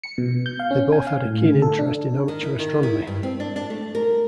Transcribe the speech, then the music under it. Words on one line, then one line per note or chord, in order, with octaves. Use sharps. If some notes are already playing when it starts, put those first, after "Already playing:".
They both had a keen interest in amateur astronomy.
C#7
B2
G6
F5
C#4
G#5
F5
A2
D3
A4
D4
D#3
E4
D#3
E4
G2
C4
D4
D4
A3
A#4